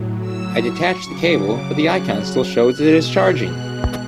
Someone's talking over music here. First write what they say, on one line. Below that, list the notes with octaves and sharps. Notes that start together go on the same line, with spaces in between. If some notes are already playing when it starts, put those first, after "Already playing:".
I detached the cable, but the icon still shows it is charging?
Already playing: A2 F#3
E6
C#6
C#3 F#3 D6
F#6
B2 G#3 E6
F#6